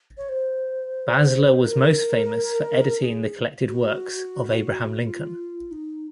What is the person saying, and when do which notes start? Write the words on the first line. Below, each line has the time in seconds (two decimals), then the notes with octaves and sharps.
Basler was most famous for editing the collected works of Abraham Lincoln.
0.17 C#5
0.29 C5
1.64 A#4
3.00 G#4
3.68 F#4
5.03 F4
5.71 D#4